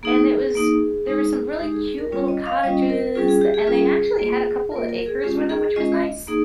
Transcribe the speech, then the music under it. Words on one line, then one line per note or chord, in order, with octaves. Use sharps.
and it was there were some really cute little cottages, th and they actually had a couple of acres with 'em, which was nice.
A#3 D#4 G#4
A#3 D#4
G#3 D#4
G#3 D#4 G4
G#4
A#4
G3 C#4 F4 C#5
D#5
F5
G3 C#4 F4 D#5
A#4
G3 C#4 F4 G#4
G#4
G4
G#4
G3 C#4 F4
A#3 F4
A#3 F4 A#4
A#4
G#4
G#3 C#4 F4 G4
G#4
G#3 C#4 F4 D#5
A#3 D#4 G#4